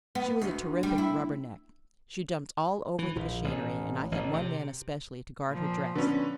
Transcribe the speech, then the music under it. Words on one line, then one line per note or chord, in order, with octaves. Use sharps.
She was a terrific 'rubberneck.' She jumped all over the machinery, and I had one man especially to guard her dress.
B3
D2
G3
E4
E3
A#1
A1
A1
C3
A#2 F3
D3 B3 C#4